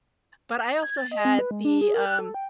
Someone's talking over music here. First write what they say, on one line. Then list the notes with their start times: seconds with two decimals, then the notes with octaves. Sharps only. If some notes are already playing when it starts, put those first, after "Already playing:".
but I also had the, um
0.82 G#6
0.97 A6
1.11 D#5
1.25 C4
1.39 B4
1.51 G#3
1.65 D4
1.81 G#4
1.94 A#4
2.05 F#6
2.19 A4
2.34 G5